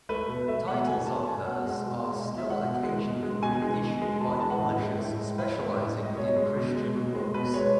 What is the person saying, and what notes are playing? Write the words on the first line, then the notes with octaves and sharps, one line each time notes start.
Titles of hers are still occasionally reissued by publishers specializing in Christian books.
A3 B4
B2
A3 E5
B2 F#5
A3 G#5
B2 A5
A3 G#5
B2 F#5
G#3
B2
G#3
B2 D#5
E5
G#3
F#5
B2
G#3
B2
G#3
B2 G#5
G#3
B2
G#3
B2 A5
B5
G#3 A5
F#5
A2 D#5
G#3
A2
G#3
A2 B4
G#3
A2
G#3
D#5
B2 C#5
G#3
B2
G#3
B2
G#3
B2 B4
G#3 C#5